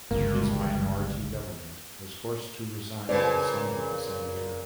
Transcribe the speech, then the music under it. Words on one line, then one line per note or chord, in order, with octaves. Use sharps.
His minority government was forced to resign in December of the same year.
G1 C#2 G2 E3 G3 G#3 A#3
A#2 C#3 B4 C5 D5